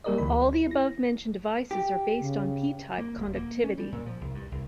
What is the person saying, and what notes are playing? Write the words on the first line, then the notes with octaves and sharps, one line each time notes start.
All the above-mentioned devices are based on p-type conductivity.
G3 A#3 G4 A#4 D5 D#5
D2 D3 E3 B5
E4 A#6
G4
C#3
A#3
D#1
A#3
C#4
G3
A#2
F3
C2
G2
C2